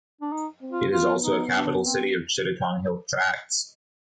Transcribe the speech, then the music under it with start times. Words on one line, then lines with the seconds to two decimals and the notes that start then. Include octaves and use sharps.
It is also a Capital city of Chittagong Hill Tracts.
0.21 D4
0.32 D#4
0.62 C4
0.72 F4
0.92 B3 F4
1.22 D#4
1.53 D4
1.82 C4